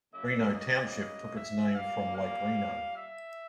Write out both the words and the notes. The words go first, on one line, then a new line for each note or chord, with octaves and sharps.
Reno Township took its name from Lake Reno.
C#3 F#3 A#3 E5
D#5
E5
A#2 G3 A#3 F5
F5
E5